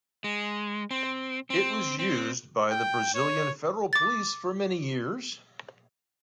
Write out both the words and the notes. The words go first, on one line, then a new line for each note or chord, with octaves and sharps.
It was used by the Brazilian Federal Police for many years.
G#3
C4
C4
C4
G5
C#5
D6 A6